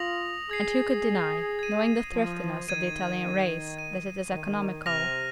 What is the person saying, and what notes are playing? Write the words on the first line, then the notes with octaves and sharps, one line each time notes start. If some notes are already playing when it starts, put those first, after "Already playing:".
And who could deny, knowing the thriftiness of the Italian race, that it is economical?
Already playing: F4 D#6 A#6 F7
G#4 D#6 G#6 C7 D#7
G#6 D#7
F3
D#3 G#6 D#7
G#6 D#7
D#3
C3 F6 A#6 F7